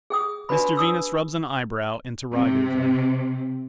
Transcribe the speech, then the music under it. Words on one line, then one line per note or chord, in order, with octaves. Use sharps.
Mr Venus rubs an eyebrow, interrogatively.
G#4 G5 D#6
D4 F#4 B4 B5
D4 D#6 E6
C3